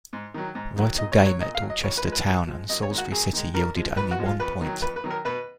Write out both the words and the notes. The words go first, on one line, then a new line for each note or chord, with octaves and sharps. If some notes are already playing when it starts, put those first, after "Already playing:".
Vital game at Dorchester Town and Salisbury City yielded only one point.
G#2
D#3 F#3
G#2
D#3 F#3
A#2 D#5
C#5
F#3
C#5
A#2 D#5
F5
F#3
D#5
F2 C#5
B4
F3 G#3
B4
F2
F3 G#3
F#2 D#5
C#5
D#3 G#3
F#4
F#2 G#4
D#3 G#3
F2 A#4
F3 G#3
F2 B4
F#4
F3 G#3
F4
F2 B4
D#3 F#3
F2 B4
B4
D#3 F#3
A#4
B2 B4